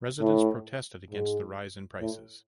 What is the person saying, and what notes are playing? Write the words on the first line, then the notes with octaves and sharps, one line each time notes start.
Residents protested against the rise in prices.
A2
G#2
A2